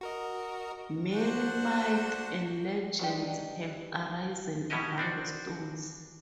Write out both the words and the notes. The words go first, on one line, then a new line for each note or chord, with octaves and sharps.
Many myths and legends have arisen around the stones.
F#4 A#4 D#5
D4 F#4 C5
F#3 G#3 D4 D#4 G4
B2 C#4 E4 F#4 G4 D#5
C4 D4 F#4 D5